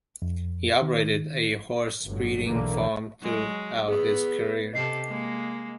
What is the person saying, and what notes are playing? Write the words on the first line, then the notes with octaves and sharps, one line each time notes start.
He operated a horse-breeding farm throughout his career.
F2
D#3
G1 A2 F#3
B1 E2 B2 D3 A#3
F#3 G#3
B3 G#4
C3 G4 A4 D#5 C7
G#3 A#3